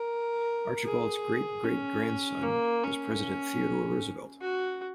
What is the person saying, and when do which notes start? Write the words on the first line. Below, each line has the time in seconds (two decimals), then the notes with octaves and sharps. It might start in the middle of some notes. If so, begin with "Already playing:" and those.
Archibald's great-great-grandson was President Theodore Roosevelt.
Already playing: A#4
0.85 G#4
1.64 C#4
2.43 A#3
2.83 C#4
4.41 F#4